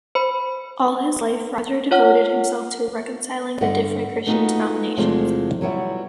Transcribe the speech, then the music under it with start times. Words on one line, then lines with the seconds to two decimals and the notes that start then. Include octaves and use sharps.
All his life, Roger devoted himself to reconciling the different Christian denominations.
0.15 C5 B5
1.91 F4 C#5 F#5 F6
3.61 G2 D3 D#5 F#5
4.26 A3 B3 D#4 F4 F#4 G#4
4.97 E2 C3 F3 G#3 A3
5.61 F#3 G3 B3 E4